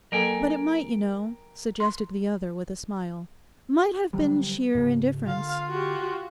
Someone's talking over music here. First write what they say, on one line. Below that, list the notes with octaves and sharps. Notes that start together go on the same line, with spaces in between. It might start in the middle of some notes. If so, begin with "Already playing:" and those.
'But it might, you know,' suggested the other with a smile--'might have been sheer indifference.'
F#3 A#3 A4 A#4 G5 G#5
C6
D3 F#3 G3
G#2 C#3
D3 F4 F5
F#4 G4